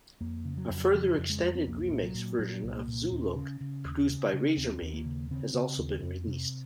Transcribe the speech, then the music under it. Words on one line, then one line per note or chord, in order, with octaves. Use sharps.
A further extended remix version of "Zoolook", produced by Razormaid!, has also been released.
F2 A#3
C#3
F#3
F2
F#3
C#3 F3
F2
G#3
F2
C4
C2 A#3
A#2
F#3
A#2
A#2 F#3
C2
A#3
A#2
D#2 C#4
C#3
C#3
D#2
C#3
C#3
D#2 C4
D#2
A#3
C#3
C#3 C4
C#3
D#2
F2
C3